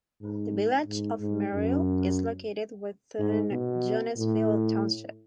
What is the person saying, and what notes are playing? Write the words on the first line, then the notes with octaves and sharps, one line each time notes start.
The Village of Merrill is located within Jonesfield Township.
G#2
G#2
G#2
F#2
G#2
B2
A2